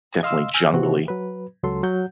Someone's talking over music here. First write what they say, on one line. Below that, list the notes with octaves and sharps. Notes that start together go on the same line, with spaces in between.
definitely jungly.
D#5 F5 C6 E6
G#5 E6 F6 G6
C3 E3 C4 F#4
F#3 B4
C#2 F#3 A4 C6
F#3 F#5 G6